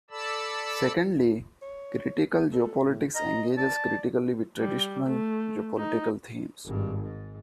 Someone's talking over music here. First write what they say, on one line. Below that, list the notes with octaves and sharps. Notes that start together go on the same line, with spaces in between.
Secondly, critical geopolitics engages critically with 'traditional' geopolitical themes.
A4 D5 A5 B5 E6
C#5
A4
A2
D#5 A#5
D5 A5
G3
A3
D#4
G#1 G2
G#2